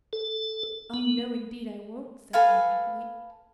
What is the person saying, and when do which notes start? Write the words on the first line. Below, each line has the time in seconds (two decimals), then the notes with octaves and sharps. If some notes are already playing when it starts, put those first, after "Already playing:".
"Oh, no, indeed, I won't," said Anne eagerly.
0.13 A4
0.94 B3
2.33 A4 B4 F5 G#5